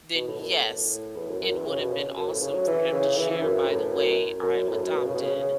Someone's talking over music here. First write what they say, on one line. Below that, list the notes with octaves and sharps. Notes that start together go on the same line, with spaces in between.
then yes, it would have been awesome for him to share, "By the way, I'm adopted"
B2
A2
F#2
A2
E2
F#2
F#2
E2
C#3
B2
C#3
F#2
A2
C#3
F#3
E3
C#3
E3
E3
F#2
F#2
A2
F#2
F#2
A2
F#2
B2
C#3
B2
C#3
C#3